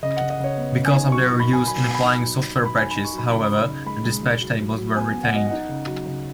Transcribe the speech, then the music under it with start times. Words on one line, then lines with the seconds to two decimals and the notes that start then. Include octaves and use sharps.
Because of their use in applying software patches, however, the dispatch tables were retained.
0.03 C#3 D#5
0.17 C#3 F#5
0.30 D#5
0.40 C#3 C#5
0.58 B3
0.76 C#3
0.85 G#5
0.94 D#4
1.12 F#3 C#6
1.26 D#4 C#6
1.40 B5
1.49 D#4 G#5
1.67 F#3 B5
1.86 B3 G#5
1.94 B5
2.03 D#4
2.22 F#3
2.40 D#4
2.58 F#3
2.65 B5
2.77 D#4 G#5
2.91 D#4 B5
3.04 C#6
3.13 F#3 B5
3.32 C#3 B5
3.49 D#4
3.68 C#3
3.86 G#3 B5
4.05 G#3
4.23 G#3
4.41 F#3
4.60 F#3
4.78 F#3
4.96 B3 G#5
5.15 B3
5.23 F#5
5.33 F#3 D#5
5.47 D#4 F#5
5.69 C#3
5.87 F#3
6.06 C#3